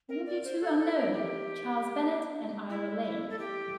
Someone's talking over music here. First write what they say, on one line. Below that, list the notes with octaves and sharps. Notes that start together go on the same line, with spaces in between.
Only two are known: Charles Bennett and Ira Lane.
A#4
D5
C5
A4
A4
A#4
G4
E4
E4
A4
G4